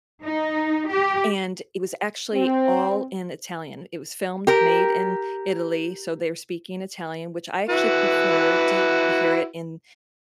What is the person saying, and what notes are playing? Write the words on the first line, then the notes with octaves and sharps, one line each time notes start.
and it was actually all in Italian. It was filmed, made in Italy, so they're speaking Italian, which I actually prefer to hear it in
D#4
G4
C4
G4 A#4
E4 F#4 B4